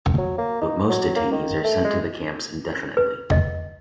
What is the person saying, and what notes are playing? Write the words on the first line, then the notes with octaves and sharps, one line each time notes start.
But most detainees are sent to the camps indefinitely.
F#3
A#3
D#4
F#3
A#3
D#3
A3
G#3
B4
D#5